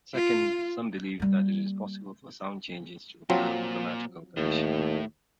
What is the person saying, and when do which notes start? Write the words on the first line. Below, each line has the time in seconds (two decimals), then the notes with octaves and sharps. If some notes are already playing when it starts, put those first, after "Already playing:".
Second, some believe that it is possible for sound changes to observe grammatical conditioning.
0.15 F4
1.20 G3 A#3
3.30 A#2 F3 F#3 C4
4.37 D#2 A2